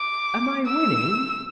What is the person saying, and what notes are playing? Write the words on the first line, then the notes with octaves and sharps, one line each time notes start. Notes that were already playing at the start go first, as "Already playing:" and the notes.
"Am I winning?"
Already playing: D6
E6